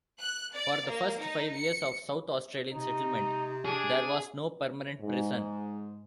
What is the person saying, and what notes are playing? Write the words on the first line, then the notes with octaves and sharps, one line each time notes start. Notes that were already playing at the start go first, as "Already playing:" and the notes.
For the first five years of South Australian settlement there was no permanent prison.
F#6
D5
A#3
D#4
C#7
C3 D#4
D4 G#4
G#2